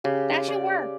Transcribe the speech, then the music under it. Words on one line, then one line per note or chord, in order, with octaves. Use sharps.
That should work.
C#3 G4
D5